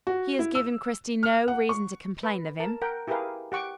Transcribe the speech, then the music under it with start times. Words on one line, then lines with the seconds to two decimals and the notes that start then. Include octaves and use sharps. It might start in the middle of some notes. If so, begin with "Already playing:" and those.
He has given Cristy no reason to complain of him.
0.07 F#4
0.39 E4
0.55 E6
1.23 F6
1.48 F#5
1.69 C#6
2.23 B4
2.60 A#4 A5
2.82 A#4 F#5 G5
3.07 E4 G4 G#4 A#4 B4 F5
3.52 G4 F#5 C#6 D6